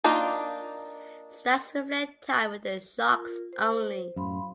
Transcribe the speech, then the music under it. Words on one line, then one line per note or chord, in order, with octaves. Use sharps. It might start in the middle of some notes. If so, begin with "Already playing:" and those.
Stats reflect time with the Sharks only.
A#3 D4 D#4 F4
F4 A#4
C5
F#2 A2 F5 B5 C6